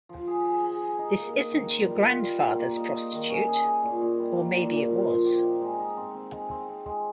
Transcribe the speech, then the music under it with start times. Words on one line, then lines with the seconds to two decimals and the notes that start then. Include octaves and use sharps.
This isn't your grandfather's prostitute - or maybe it was.
0.09 F3
0.27 G#4
0.45 G#4
0.63 G#4
0.81 G#4
0.99 D#4
1.17 A#3
1.34 D#4
1.52 D#3
1.70 F4
1.87 G3
2.05 F4
2.23 G3
2.41 A#3
2.59 A#3
2.76 D#4
2.94 D#4
3.12 D#3
3.30 C#4
3.48 G#4
3.65 G#4
3.83 A#2
4.01 A#2
4.19 G3
4.36 A#3
4.55 A#2
4.73 A#2
4.90 F3
5.08 F3
5.26 G4
5.43 D#4
5.61 G#3
5.79 D#4
5.97 C4
6.15 C4
6.32 G#3
6.51 C4
6.68 C4
6.86 G#3